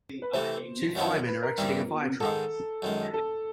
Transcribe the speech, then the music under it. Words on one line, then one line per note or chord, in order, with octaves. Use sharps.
Two firemen are exiting a firetruck.
B4
C3 E3 A3 C5
F#2 D#3 F#3 B3 E4
B4
A#4
G2 E3 G3 C4
G#2 D#3 G#3 A4
F#2 D#3 G#3
A4